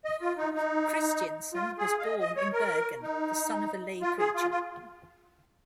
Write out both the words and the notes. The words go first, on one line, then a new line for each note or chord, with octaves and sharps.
Kristiansen was born in Bergen, the son of a lay preacher.
D#5
F4
D#4
D#4
F4
G#4
F5
D#5
D#5
C#5
A#4
D#4
F4
G#4
F4
F4